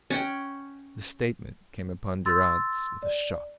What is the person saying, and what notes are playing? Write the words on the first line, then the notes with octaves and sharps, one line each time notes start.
The statement came upon Durrance with a shock.
C#4 F#5 G5
C6 E6 A6
D5